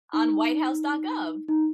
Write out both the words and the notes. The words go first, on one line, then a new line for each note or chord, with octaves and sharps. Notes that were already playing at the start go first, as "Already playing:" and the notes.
On whitehouse.gov.
D#4
D#4